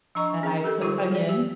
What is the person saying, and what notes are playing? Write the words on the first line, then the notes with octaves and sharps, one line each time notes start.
and I put onion
F3 D4 D#5 A#5 C#6
C#4 G#4
G4 A4 A#4
D3 G3 D#4 F4 G4
G#4 D5
G4